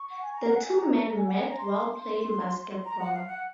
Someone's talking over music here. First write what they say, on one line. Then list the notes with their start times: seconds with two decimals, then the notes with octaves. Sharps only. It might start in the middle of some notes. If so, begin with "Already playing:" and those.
The two men met while playing basketball.
Already playing: C#6
0.09 F#5
0.21 G#5
0.33 A#5
0.48 F#5
0.53 G#5
0.75 A#5
1.16 G#5
1.27 F#5
1.38 G#5
1.48 A#5
1.58 C6
2.85 A#5
2.99 F#5
3.13 F5
3.27 F#5